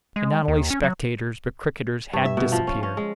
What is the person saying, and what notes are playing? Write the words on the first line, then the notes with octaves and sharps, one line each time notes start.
And not only spectators but cricketers had disappeared.
G#3
D#2
C#4
F#3
G2
E5
B2
F3
C#4
C#4
G#3